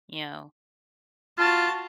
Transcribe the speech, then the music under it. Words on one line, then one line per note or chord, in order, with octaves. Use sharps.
you know?
F4 F#4 A5